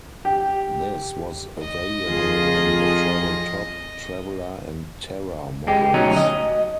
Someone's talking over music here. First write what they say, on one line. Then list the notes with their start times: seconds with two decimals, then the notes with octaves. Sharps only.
This was available on the Travel top, Traveler and Terra models.
0.25 G4
1.60 D#5
2.05 F2 F4 G#4
5.67 G#3 G4
5.94 D2 B2 F#3 C#4 D#4
6.17 D#5